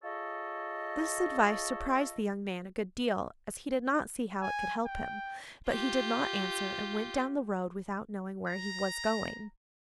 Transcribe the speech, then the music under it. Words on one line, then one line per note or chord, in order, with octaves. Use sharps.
This advice surprised the young man a good deal, as he did not see how it could help him; but he did not answer, and went down the road without knowing where he was going.
F4 G#4 A4 C#5 D#5
G#5
G5
F4 G4
A#5